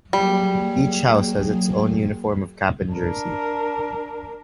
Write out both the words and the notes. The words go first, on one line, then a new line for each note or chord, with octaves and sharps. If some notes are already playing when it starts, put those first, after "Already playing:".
Each house has its own uniform of cap and jersey.
F#3 G3 A#3 G#4
D4 A#4